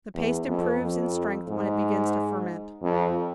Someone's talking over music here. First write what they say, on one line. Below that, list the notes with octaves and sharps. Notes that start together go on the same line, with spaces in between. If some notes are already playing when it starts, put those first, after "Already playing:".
The paste improves in strength when it begins to ferment.
E2
F2
F2
G#2
F2